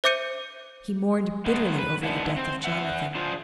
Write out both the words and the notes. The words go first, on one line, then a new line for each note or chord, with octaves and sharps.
He mourned bitterly over the death of Jonathan.
C5 E5 D6 G6 C#7 D#7
D#3 G#3 B3
B4
D3 G#3 B3 D4 E4 F#4
C4
B4 E5 F#5
D4 F4 G#4 C5 F5